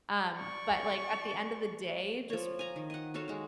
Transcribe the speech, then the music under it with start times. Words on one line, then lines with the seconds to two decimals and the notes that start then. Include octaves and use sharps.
Um, but, like, at the end of the day, just,
0.35 D5 C#6
2.30 F3 C#5
2.59 G#5 A#5
2.76 D#3
2.90 D#5 F#5
3.14 F#4 A4 C#5 F5
3.28 G#3 F#4